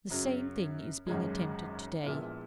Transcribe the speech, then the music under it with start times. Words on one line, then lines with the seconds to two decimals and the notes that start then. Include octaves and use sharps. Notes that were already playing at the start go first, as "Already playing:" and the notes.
The same thing is being attempted to-day.
0.10 F#2 C#3 F#3
1.07 G#1 F#2 C#3 G#3
2.03 A#1 A#2 G#3 B3 E4